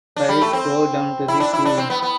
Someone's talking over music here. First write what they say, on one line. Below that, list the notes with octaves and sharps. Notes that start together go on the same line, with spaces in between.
Five Go Down to the Sea?
D4
G3
A3
C4
E4
D4
E4
D4
C4
B3
B3